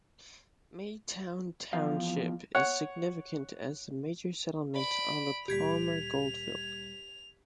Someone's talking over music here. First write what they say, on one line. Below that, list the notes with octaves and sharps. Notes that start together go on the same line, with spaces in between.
Maytown Township is significant as the major settlement on the Palmer goldfield.
E2 F3 F5
C#5 F#5
D5 B5 D7
D2 A#2 G3 G4 G#6 B6 F7